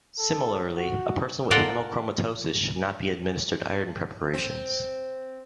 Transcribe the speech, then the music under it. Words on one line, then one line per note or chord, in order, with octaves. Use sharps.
Similarly, a person with hemochromatosis should not be administered iron preparations.
A4
F#4
F4 A4 A#4 D5 F#5 G5
C4